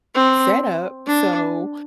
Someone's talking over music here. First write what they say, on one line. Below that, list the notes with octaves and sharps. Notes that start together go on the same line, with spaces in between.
setup, so
C4
D4